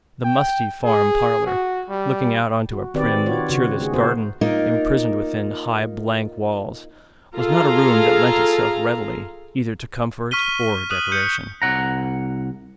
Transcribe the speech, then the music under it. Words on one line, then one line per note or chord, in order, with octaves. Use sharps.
The musty farm parlour, looking out on to a prim, cheerless garden imprisoned within high, blank walls, was not a room that lent itself readily either to comfort or decoration.
G5
G#4
F#4
G3
F#4
D#3 C4 G4 B4 D5
F4 F#4 C#5
C#3 F#4
A3 G#4
B3 F#4 A#4 C5
A#3 D#4 F4 A#4
F4 G#4 A4 F5 A#5
C#6 F6 B6 D#7 G7
D#6 F#6 D#7 F#7
F#6 G6 C#7
C2 F#5 A#5